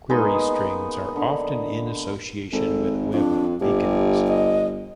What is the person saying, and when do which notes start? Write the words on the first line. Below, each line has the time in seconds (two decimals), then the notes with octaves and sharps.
Query strings are often used in association with web beacons.
0.10 G#3 A#3 B3 D#4
1.16 D3
2.52 G#1 A4
3.13 F2 D4
3.60 G1 G4
4.27 D#5